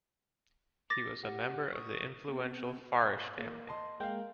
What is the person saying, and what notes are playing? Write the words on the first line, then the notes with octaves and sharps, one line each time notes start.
He was a member of the influential Farish family.
D6 A6 A#6
G4 F#5
C#6 D#6
B3 C4
A#3
D#5 A5 C6
G#3 A#3 A#4 F5 G5